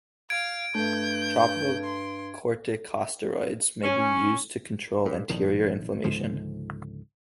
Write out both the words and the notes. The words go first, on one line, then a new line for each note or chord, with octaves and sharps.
Topical corticosteroids may be used to control anterior inflammation.
F5 G#6 D7
G2 A3 G6
C6
C#4
G2
A#1 A2 D#3
C#2 G#2 D3 F3